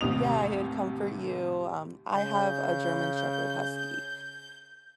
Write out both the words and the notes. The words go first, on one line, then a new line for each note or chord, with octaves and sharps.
yeah, he'd comfort you, um, I have a German shepherd husky.
A1 D#2 C3 D#6 F7
C#3 G6